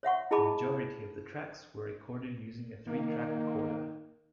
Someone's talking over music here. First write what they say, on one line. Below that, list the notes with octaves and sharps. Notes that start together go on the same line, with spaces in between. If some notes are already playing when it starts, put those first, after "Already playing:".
The majority of the tracks were recorded using a three-track recorder.
C#5 E5 F#5 C#6
E4 G#4 D#5 A5 B5 D6
D#3 A#3